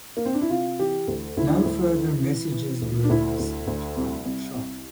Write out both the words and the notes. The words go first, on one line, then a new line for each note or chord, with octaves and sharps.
No further messages were received from "Shark".
A#3
C4
D4
E4
C3 F4
E3 G4
D2
D2 E4
D4
E4
D2
E3
E3
E3
D2
D4
D2 E4
D2
D2
C2
C2
C2